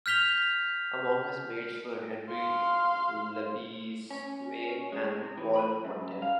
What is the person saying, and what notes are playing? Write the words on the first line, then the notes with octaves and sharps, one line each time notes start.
Among his mates were Henri Lebesgue and Paul Montel.
F6 G6 B6 F7 G7
F5 C6
C#4
G#3
C3
E3
B5
F#2
F5